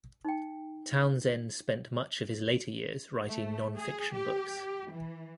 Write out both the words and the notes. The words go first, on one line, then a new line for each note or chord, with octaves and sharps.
Townsend spent much of his later years writing non-fiction books.
D#4 G5
A3
G#4
G4
E3